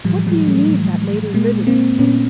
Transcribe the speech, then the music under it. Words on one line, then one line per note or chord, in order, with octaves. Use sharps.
What do you need that later liberty for?
A2 E3 F3 G3
F#3 G#3
G3 A3
A2 E3
A#2 G#3 A#3
A#3 C4
A#2 B3 C#4